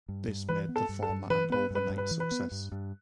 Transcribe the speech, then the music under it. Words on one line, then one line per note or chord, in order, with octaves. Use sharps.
This made the format an overnight success.
G2
G2
E3 B4
B3
A4
G2
A4
G2
E3 B4
B3 B4
G2 B4
G2
B4
E3
B4
B3
G2
G2